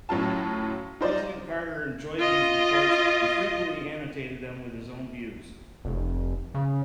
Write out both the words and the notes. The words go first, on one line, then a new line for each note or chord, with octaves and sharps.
President Carter enjoyed these reports and frequently annotated them with his own views.
A2 F#3 C#4 F4 A5
D#4 F4 C5 D5 D#5
F4 D#5
F1
C#3